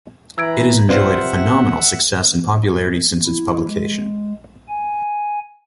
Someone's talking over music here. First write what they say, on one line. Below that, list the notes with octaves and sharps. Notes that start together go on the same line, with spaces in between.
It has enjoyed phenomenal success and popularity since its publication.
E3 A#5 B5 E6 G#6 D7
C3 C4 F4 B4 C5 D5 E5 F#5
E4
G#3
G#5